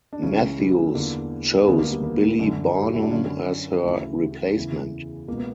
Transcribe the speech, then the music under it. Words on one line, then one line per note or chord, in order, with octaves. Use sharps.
Matthews chose Billie Barnum as her replacement.
D4
C#2 C#3 E3 C#4
G3
E2 D3 A#3
D2 D3 B3
A#3
G3
A#3
F#2 D3
G4
F#4
E4
D4
F#2 D3 C#4
D2 C#3 E3 E4
E2 C#3 E3
C#2 B2 A#3
B3